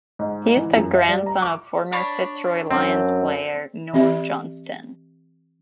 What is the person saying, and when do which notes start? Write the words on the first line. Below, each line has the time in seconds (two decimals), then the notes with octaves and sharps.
He is the grandson of former Fitzroy Lions player, Norm Johnstone.
0.19 G#2
0.57 E3
0.76 F#2
0.95 E5
1.08 G3
1.26 A#5
1.42 D6
1.92 D4 C#5 B5
2.71 F#2 C4
3.93 E3 C4 G4 E5